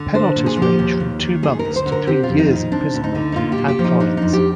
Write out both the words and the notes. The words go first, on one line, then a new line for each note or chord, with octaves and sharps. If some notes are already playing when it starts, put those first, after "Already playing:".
Penalties range from two months' to three years' imprisonment and fines.
Already playing: D3
D4 C5
A#2
G#4
F3
G4
D#2
D#2
D#3
G#3 G#4
A#4
D2
C5
D3
A#4
C4 G4
F4
F2
D#4
D#3 D#4
C4 D4
D2
D#4
D3
D#4
A#2 F4
G4
A#2
G4
F3
D#4
D4 D#4
F2 D#4
G4